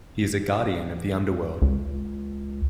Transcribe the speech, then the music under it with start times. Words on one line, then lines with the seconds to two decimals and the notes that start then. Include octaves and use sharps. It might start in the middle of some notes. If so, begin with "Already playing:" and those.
He is a guardian of the underworld.
1.62 C#2